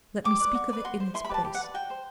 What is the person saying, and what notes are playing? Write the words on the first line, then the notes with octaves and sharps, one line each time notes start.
Let me speak of it in its place.
G4 D6
B4 D5
F#4
B4 D5
F#4 C6
C5
E4 C6
B5
G4 B4 D5 A5
G4
F#5
B4 D5
F#4 G5
C5